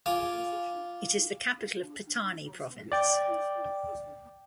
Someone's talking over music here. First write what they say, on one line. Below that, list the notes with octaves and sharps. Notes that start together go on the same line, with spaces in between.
It is the capital of Pattani Province.
F4 G#5 D6
D5 G5